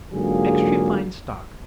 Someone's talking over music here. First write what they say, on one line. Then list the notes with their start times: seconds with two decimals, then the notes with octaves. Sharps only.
Extry fine stock.
0.13 G#2 D3 F#3 A#3 F4 G#4